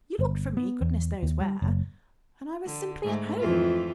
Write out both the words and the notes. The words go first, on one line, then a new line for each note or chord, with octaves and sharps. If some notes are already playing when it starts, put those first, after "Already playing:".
You looked for me, goodness knows where, and I was simply at home.
G1
B3
E2
D#2
G3
F#1
D3
G#2 A3
F2 E3 F4